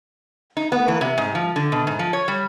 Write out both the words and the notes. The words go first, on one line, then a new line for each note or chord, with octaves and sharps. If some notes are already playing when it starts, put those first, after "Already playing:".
A lot of time.
D#4
B3
E3
C3
G#2
F3
D3
B2
G#2
F3
C#5
G3